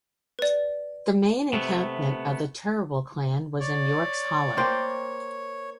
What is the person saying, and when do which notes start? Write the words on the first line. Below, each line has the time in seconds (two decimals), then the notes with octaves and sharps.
The main encampment of the Turrbal clan was in "Yorks Hollow".
0.39 B4 D5
1.53 C3 A3 B3
3.61 C#5 D5
4.57 A#3 C5 G5